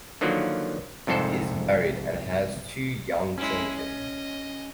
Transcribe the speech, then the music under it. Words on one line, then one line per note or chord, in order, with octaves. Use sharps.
He is married and has two young children.
D3 D#3 F3 F#3 A#3
C2 F2 G#2 A4 C5
G#3 C#4 E4
D#5